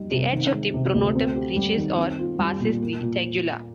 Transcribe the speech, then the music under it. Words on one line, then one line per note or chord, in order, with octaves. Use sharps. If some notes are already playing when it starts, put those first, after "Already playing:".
The edge of the pronotum reaches or passes the tegula.
Already playing: G3 D#4
C3
D#3
G#3
C3
D2
C4
G4
G3
D#3
C4
F4
G3
A#2
A#3
A#2